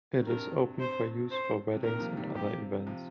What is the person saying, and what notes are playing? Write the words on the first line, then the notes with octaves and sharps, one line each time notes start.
It is open for use for weddings and other events.
D#3
G2 C3 A#4
C5
C5
C3
A#2 D#3 A#4
C3 F3
D#3 G3
C3 F3 G4
C3 F3